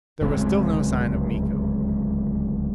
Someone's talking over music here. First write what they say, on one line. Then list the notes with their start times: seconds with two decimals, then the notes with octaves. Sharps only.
There was still no sign of Miko.
0.21 D1 C#2 G#3 C4